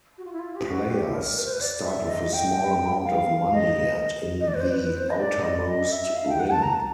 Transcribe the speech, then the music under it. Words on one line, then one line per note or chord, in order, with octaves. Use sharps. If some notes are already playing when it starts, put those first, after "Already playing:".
Players start with a small amount of money and in the outermost ring.
F#4
F4
E4
F4
G4
F#4
G4
A#4
B4
C5
B4
D5
E5
D5
D#5
G5
F5
D#5
D#5
D5
B4
C5
B4
B4
C5
D#5
D5
D#5
D5
D#5
E5
F5
G5
F#5
A5
A#5
A5